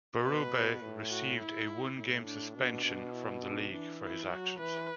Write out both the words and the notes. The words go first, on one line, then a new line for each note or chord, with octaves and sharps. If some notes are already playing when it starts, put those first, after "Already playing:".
Berube received a one-game suspension from the league for his actions.
B2 B4
A2
F#4
E4
A2 E4
D4
B2 D4
B2
E4
D4
E3 D4
E4
F#3 F#4
E3 B4